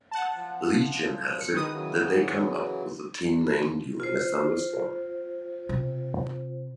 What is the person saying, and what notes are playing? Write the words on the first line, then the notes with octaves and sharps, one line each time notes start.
Legend has it that they came up with the team name during a thunderstorm.
F#5 A5
F3
C#7
D#3 G#3 B4 D#6
C#3 E3 F#3
F4 C5
C3